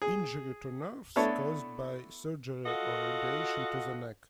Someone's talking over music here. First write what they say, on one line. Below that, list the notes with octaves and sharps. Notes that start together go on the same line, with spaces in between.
Injury to nerves caused by surgery or radiation to the neck.
G#4
A3 B3 D4 E4 A4 C#5
F4 F#4 A4 D#5 F5 F#5